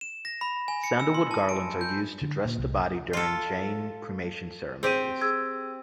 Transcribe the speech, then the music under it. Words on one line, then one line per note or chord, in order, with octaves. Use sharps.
Sandalwood garlands are used to dress the body during Jain cremation ceremonies.
E7
A#6
B5
G#5
C#7
E6
C6
A5
D7
G6
D3
A#2
C2
F4 A4
C4 G4 G#4 C5 D#7
G#4 E6 G#6